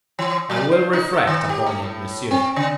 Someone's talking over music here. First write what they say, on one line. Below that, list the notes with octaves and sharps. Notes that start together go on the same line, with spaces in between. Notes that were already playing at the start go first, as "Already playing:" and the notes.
"I will reflect upon it, monsieur."
E3
F#3
C5
D#4
A4
D#3
G4
A3
A2
C4
C#3